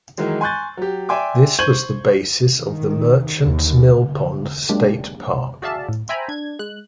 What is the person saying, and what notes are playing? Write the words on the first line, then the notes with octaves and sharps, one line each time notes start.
This was the basis of the Merchants Millpond State Park.
D#3 E3 F#3 G#3
G#5 C6 C#6 F#6 G6 A6
F#3 G4
D5 E5 G5 G#5 C6 D6
C5 C#6 G6 G#6 D#7 F#7
D#3
D#2
F#3 G#3 A#3 D4 G4
F#4 G#4 D5 E5 F5 A5
A2
C5 E5 G5 G#5 A#5 B5
D4 G#6
G#3 F#6